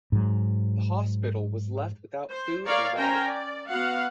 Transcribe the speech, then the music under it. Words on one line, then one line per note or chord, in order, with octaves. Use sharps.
The hospital was left without food and water.
G#2 F#3
C5
A#4 C#5 D5 F5
C#4 A#4 C5 G5 G#5 A#5
D5
B3 F#4 F5 F#5